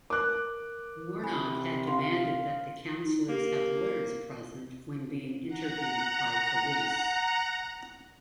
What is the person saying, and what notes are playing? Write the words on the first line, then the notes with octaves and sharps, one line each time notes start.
Warnock had demanded that the counselors have lawyers present when being interviewed by police.
A#4 D6 F#6
C3 G#5 B5
F5 C6
D#4
A#3 G4
F#5 A#5